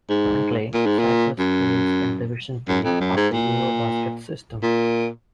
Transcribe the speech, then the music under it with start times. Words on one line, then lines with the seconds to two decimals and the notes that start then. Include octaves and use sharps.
Currently, Cyprus plays in Division B of the EuroBasket system.
0.09 G#2
0.74 A#2
0.86 G#2
0.99 A#2
1.39 F#2
2.68 F#2
2.84 F2
3.01 F#2
3.17 G#2
3.33 A#2
4.63 A#2